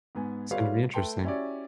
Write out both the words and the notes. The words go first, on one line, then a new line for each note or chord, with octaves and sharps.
It's gonna be interesting.
G#2 B3 G#5
G3 A3 F4 B4 C#5 F5
A3 B4 G5 A5 C6
C#4 E4 F#4 G4 C#5 D5